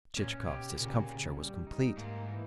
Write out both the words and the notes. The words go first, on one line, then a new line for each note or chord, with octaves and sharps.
Chichikov's discomfiture was complete.
A#2 C#4
B2 G4
A#2 C#3
C#3
G3
D#4
G#2 A#3
E3